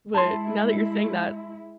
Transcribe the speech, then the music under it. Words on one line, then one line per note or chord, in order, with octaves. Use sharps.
but, now that you're saying that
G#3 E4 A5 C6